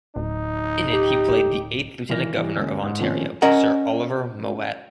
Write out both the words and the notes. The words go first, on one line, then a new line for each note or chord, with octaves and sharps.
In it he played the eighth Lieutenant Governor of Ontario, Sir Oliver Mowat.
D1 D#4
G4
G#1 D#3 E3 F6 A#6
E3 G3
D2 G#3 A#3 C#4
G#2
A2 D#3 F3 A#3 C4 C#4
C#4 A#4 D#5 F#5